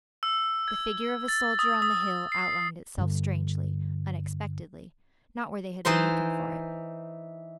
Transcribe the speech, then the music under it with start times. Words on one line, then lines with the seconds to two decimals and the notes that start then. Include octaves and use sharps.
The figure of a soldier on the hill outlined itself strangely, unexpectedly, not where they had been looking for it.
0.23 E6
0.68 G#6
1.28 A6
1.59 D#6
1.82 D#6
2.32 C7
2.98 G2 D3
5.85 E3 D#4 C5 C6